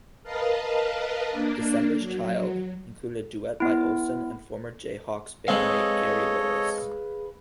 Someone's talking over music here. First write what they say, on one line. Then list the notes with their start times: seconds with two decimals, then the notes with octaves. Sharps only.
"December's Child" included a duet by Olson and former Jayhawks bandmate Gary Louris.
0.23 A#4 B4 D#5 F5 A5
1.30 A#3 D4
1.98 F#3
3.60 B3 E4
5.48 G#3 C4 G#4 A4 B4 C#5 D#5 F5